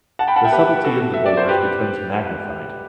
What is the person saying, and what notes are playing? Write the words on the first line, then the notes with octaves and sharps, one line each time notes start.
The subtlety of the bowlers becomes magnified.
F#5 A5
G5 B5
F#5 A5
E5 G5
G4 B4
F#4 A4
E5
D5
C5
G4 B4